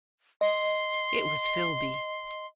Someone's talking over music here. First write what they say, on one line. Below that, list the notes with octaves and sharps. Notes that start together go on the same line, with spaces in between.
It was Philby.
D#5 C6